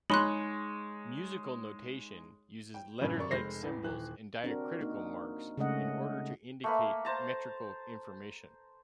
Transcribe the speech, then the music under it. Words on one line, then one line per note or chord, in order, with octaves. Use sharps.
Musical notation uses letter-like symbols and diacritical marks in order to indicate metrical information.
G#3 D#4 C#5 B5 C6 F#6
G5
G2 A#2 C#3 F3 G3 B3
F#2 C#3 D5 C#6
F1 G#3 C5 A#6 C7
A1 E2
D#1 E3 F#6
C4 D4 F#4 A#4
A#3 D#4
C#3 G#3 A3 C#4 D#5 F#5
A3 A#3 B4
C5 A5 A#5